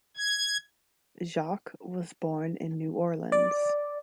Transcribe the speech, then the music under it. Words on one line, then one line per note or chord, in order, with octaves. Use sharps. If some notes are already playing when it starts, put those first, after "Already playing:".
Jacques was born in New Orleans.
G#6
D5